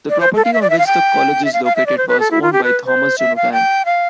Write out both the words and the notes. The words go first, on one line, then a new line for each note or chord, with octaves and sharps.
The property on which the College is located was owned by Thomas Donovan.
D5
C5
A4
F5
E5
D5
E5
F5
G5
E5
F5
F5
E5
D5
C5
B4
A4
E4
F4
G4
B4
C5
E5
F5
G5
F5